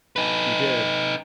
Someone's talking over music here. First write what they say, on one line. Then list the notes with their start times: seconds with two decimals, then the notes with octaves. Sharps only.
You did.
0.16 D#4 B4